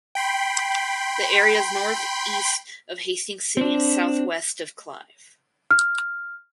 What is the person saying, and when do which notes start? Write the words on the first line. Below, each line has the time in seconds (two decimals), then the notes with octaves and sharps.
The area is northeast of Hastings city and southwest of Clive.
0.15 G5 B5 C6
3.57 C4 D4
5.71 F6